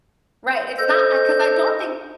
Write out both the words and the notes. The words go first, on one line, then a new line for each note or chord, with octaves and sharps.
Right, it's not I 'cause I don't think
A4 C5 D#5 G6